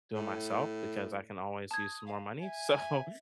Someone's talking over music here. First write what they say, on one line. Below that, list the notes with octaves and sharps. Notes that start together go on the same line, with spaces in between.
doing myself because I can always use some more money, so
A2
A5 D#6 G#6
F5
E5 G#5
E5